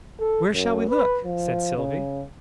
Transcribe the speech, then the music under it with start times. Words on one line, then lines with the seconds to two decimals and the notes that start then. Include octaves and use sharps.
"Where shall we look?" said Sylvie.
0.19 A4
0.53 F#2
0.89 B4
1.24 F3
1.77 C#3